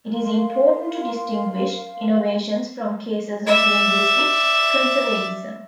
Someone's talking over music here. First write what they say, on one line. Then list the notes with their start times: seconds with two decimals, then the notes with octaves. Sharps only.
It is important to distinguish innovations from cases of linguistic conservatism.
0.13 A#4 F5 C6
3.47 D5 E5